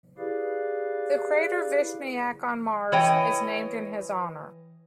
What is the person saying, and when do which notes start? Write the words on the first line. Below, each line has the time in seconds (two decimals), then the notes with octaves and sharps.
The crater Vishniac on Mars is named in his honor.
0.18 E4 G4 G#4 B4 D5 F5
2.92 E3 C#5 D#5 G5